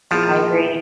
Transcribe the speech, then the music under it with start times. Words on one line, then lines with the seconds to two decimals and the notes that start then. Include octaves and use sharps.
I agree.
0.11 E2 A#2 F3